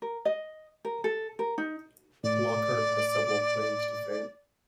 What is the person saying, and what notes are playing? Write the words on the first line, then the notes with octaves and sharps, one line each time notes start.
Lockhart has several claims to fame.
A#4
D#5
A#4
A4
A#4
D#4
A2 D5